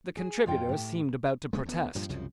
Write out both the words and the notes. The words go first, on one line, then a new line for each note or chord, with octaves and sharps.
The contributor seemed about to protest.
G#4
F2 F3 F4 G5
A2 G4
G#3 B3 C#4
D2 B3
G2 A#2 F3
C2 F#2 C#3 F3